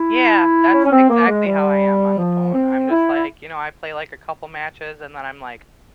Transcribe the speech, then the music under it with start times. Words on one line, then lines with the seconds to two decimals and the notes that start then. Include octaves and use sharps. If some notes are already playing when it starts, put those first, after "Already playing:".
Yeah, that's exactly how I am on the phone, I'm just like, you know, I play, like, a couple matches and then I'm like,
Already playing: E4
0.74 C#4
0.85 C#4
0.92 C4
1.10 A#3
1.28 G#3
1.46 G3
2.18 F3
2.54 C4
2.91 E4